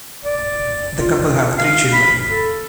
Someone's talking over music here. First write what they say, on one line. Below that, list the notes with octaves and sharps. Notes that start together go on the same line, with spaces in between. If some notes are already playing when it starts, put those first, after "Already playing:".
The couple have three children.
D5
F4
F5
B5
A4